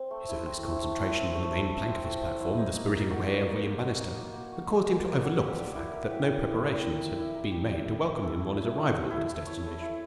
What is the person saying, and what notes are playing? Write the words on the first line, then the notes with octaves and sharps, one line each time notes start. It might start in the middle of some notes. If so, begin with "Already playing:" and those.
His earnest concentration on the main plank of his platform, the spiriting away of William Bannister, had caused him to overlook the fact that no preparations had been made to welcome him on his arrival at his destination.
Already playing: C4
A3
E4
C4
A3
A3
E4
C4
A3
A3
E4
C4
A3
A3
E4
D#4
A#3
A#3
F#4
D#4
A#3
A#3
F#4
D#4
A#3
A#3
F#4
D#4
A#3
A#3
F#4
G4
D5
E4
A#4
G4
D5
E4
A#4
G4
D5
E4
A#4
G4
D5
E4
A#4
A4
E4
E4
C#5
A4
E4
E4
C#5
A4
E4